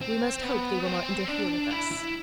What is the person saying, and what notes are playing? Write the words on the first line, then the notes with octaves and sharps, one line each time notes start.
"We must hope they will not interfere with us."
C4
B3
C4
D4
E4
E4